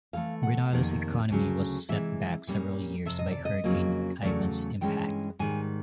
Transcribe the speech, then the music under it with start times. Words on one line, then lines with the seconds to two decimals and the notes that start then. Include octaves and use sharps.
Grenada's economy was set back several years by Hurricane Ivan's impact.
0.13 A2 E3 A3 F5
0.43 F#5
0.72 F2 C3 D#3 G3 A#3
1.30 D2 C#3 F#3
1.89 C3 E3 G#3 E5
2.47 A#2 G3 A#3 C#4
3.06 F2 C3 E5
3.19 D#5
3.32 D5
3.45 D#5
3.64 F2 C#3 F#3 A#3
4.23 E2 C#3 F#3 A3 D5
4.81 G2 E3 G#3 C#4 G5
5.39 G#2 D#3 G3 G#5